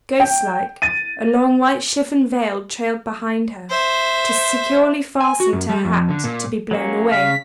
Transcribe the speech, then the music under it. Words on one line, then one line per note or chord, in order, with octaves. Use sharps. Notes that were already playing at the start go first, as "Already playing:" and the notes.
Ghost-like, a long white chiffon veil trailed behind her, too securely fastened to her hat to be blown away.
G5
A6 D#7
C5 E5
G#5
F#4
F#2
G3
F2
D3
A#2
F#3 A#3 C#4
C#3 F5 B6